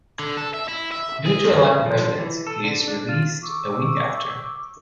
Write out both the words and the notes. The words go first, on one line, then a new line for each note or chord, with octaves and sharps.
Due to lack of evidence, he is released a week after.
D3
A4
E5
E4
E5
G#4
F#2
F3
E3
A4
D3
D4
F4
C#6 D6 E6